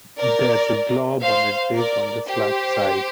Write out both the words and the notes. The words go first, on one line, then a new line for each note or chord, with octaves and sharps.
There's a Glob on a dig on the slack side.
A#4 D5
C5 F5
A#4 D5
G4 C5